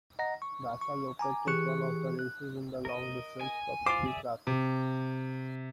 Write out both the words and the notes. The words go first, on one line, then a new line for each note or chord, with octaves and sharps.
Vasaloppet is one of the races in the long distance cup Ski Classics.
D#5 F#5 A#5 A#6
C#6
C#6
G#5 A#5 D6
E3 G4 G#4 C#6 F#6 C#7
F#6
A#4 D#5
G#5
F4 C5 D6
G#4 D5 E5
C3